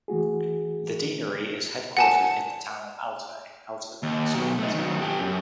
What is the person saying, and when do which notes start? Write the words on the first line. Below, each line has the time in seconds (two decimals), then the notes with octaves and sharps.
The deanery is headquartered in the town of Alta in Alta Municipality.
0.08 E3 A3 F#4 G#4
1.97 F#5 G#5 A5
4.03 D#2
4.34 B2 F#3
4.59 A3 D#4
4.74 D#3 F#3
5.01 G4 A4
5.20 F#2